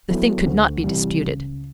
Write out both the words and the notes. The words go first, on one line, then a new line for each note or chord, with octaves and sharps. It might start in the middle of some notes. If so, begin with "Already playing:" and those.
The thing could not be disputed.
F#3 B3 E4 A4
D2
C3 E3 G3
C#2